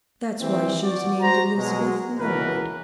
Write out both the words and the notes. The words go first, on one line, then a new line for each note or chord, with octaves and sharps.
That's why she is named Elizabeth Lloyd.
E3 G3 C4
F#4 D5
F#4 C5 A#5
B2 F#3 G#3
C#2 B2 E3 A#4 B4